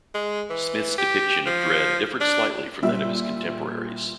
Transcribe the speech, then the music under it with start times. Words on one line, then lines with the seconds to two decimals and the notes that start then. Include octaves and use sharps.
Smith's depiction of Dredd differed slightly from that of his contemporaries.
0.15 G#3
0.50 E3
0.98 G4
1.46 F3
2.20 D4
2.82 A#2 G3 E5 E6